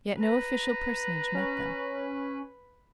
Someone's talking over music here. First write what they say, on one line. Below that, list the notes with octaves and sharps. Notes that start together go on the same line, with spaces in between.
Yet no official personage met them.
B4 A#5
C#4